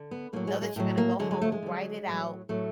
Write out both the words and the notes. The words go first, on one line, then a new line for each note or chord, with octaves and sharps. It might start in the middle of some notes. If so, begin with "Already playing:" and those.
know that you're gonna go home, write it out,
Already playing: D3
B3
A2 F#3 A#3
G#3
G#3
A2 F#3
A#3
D3 F#3 G#3
G#3
A3
G#3
D3 F#3
A2 F#3
A2 F#3 A3